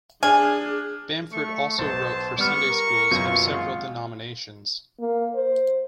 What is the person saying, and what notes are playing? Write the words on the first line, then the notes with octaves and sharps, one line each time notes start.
Bamford also wrote for Sunday schools of several denominations.
D4 G#4 G#5 F6
A3 C#6
B1 C5 A5
G3 B3 C#6 F6
A#4
F#2 B2 A#3 F4
G#1
A#3
C5